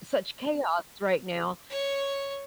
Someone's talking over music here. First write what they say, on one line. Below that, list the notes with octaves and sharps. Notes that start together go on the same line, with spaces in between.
such chaos right now.
C#5 C#6